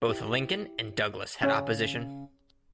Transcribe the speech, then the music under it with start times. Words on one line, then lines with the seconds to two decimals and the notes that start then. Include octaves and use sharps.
Both Lincoln and Douglas had opposition.
0.08 E4 G4
1.43 C#3 C#4